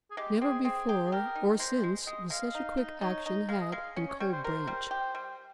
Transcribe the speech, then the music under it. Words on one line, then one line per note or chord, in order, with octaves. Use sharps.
Never before or since was such quick action had in Cold Branch.
G#4
G#3 G4
C4 G#4
C4 G#4
G4
G#4
G4 A#4
D#4
G#3 C5
G#3
G#3 D#5
G#3 F5
D#4
D#4
D#4 C#5
D#4
G#3 F5
D#5
G#3 F5
C#4
C#5
G3 C#5
C5
A#4 C5
G3
G4
G3